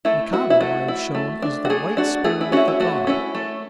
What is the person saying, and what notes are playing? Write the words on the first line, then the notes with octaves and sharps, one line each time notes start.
Michabo, I have shown, is the white spirit of the Dawn.
A3 E4
E4 F#4
E4
A3 F#4
E4
A3
D4
F#4
A3 G#4
D4 F#4
A3 G#4
E4
C#4 E4 F#4
E4
A3 F#4
C#4 E4
A3